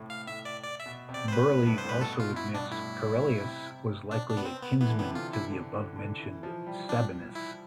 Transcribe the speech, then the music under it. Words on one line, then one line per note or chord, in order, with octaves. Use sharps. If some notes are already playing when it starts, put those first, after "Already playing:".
Birley also admits Caerellius was likely a kinsman to the above-mentioned Sabinus.
Already playing: A2 C3
F5
A2 E5
D5
D5
E5
B2
C3
D5
C5
B4
A2
G2
C5
A2 B4
B2 A4
B2 F4
B2 E4
G2 D4
A2 E4
B2
C3
D4
D4
B3
C4
B3
E3 B3
D3
C3 B3
D3
F4
E4
D3
D3
D3
E3
F3
G3
D4
E4